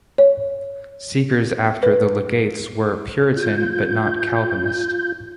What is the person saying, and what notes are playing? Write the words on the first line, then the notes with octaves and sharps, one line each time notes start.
Seekers after the Legates were Puritan but not Calvinist.
C#5
B4
F4 G6